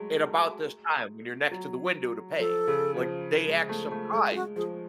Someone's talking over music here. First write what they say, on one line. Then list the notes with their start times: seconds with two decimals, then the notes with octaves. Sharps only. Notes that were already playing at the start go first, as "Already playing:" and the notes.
in about this time when you're next to the window to pay?" Like, they act surprised.
Already playing: F#3 G#3 A3
1.51 F#3
2.39 F3 A4
2.68 C#3
2.96 F3
3.47 G#3
3.69 A3
3.91 A3
4.14 G#3 A4
4.31 F4
4.35 F#4
4.56 F3 G#4